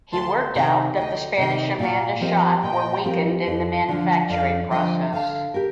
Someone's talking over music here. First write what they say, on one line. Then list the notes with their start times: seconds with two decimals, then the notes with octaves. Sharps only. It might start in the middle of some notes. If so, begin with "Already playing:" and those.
He worked out that the Spanish Amanda shot were weakened in the manufacturing process.
0.12 D2 A5 C6
0.55 C3 D#3 G5 A#5
0.96 D2 D#5 G5
1.38 C3 D#3 D#5 G5
1.79 A#2 D5 F5
2.21 F3 C4 G4 A#4 D#5 G5
2.63 A#2 D#5 G5
3.04 F3 C4 G4 A#4
3.46 F2
3.89 D3 F3
4.29 F2 D5 F5
4.71 D3 F3 D#5 G5
5.13 D3 F5 A5
5.54 G4 A#4